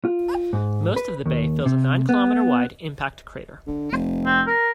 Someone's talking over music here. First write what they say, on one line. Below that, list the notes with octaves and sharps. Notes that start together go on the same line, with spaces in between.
Most of the bay fills a nine kilometer wide impact crater.
F4
G#2
B4
D#2
C3
B3
D3
F1
C4
A#4